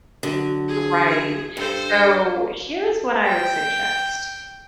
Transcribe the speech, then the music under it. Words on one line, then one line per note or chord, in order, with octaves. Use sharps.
Right, so, here is what I would suggest,
D3 F#3
G#4
G2 A4 C5
G5